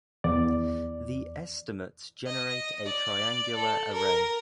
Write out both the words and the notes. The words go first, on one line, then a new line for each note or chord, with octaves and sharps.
The estimates generate a triangular array.
E2 D5
D#5
D5
A4
A#4